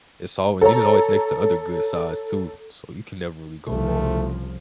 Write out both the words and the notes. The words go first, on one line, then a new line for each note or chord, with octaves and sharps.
it's all and then it's always next to other good sides too, so you can never really go wrong
A4 C#5 A#5
C2 C#3 F3 A3